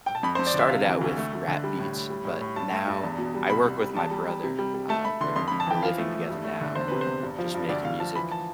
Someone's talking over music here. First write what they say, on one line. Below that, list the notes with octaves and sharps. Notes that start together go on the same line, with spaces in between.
Uh, started out with rap beats, but now I work with my brother. Uh, we're we're living together now and just making music.
G5
A5
F2 B5
C5
F2
D5
D3
E5
C3 F5
E3
D2
A3
A3
D3
G3
A2
A2
G3
A2
A2
G2 A5
A3
G2
E2
B2
G3
C2 B5
C2
G3
E2 A5
G3
G3
C3
G3
G3
A3 A5
A3 B5
D3 C6
F2 C6
B5
F2
A5
E3 G5
F3 F5
A3
A3
G2
A3
D3
E2 C5
C3 B4
C5
E2
G2
F3
G2
D2 D5
D2 F5
F3 A5
E3 B5
A5